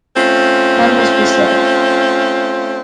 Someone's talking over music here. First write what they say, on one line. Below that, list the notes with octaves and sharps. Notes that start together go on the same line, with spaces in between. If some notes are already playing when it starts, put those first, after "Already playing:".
None was preserved.
A3 C4 C#4 F4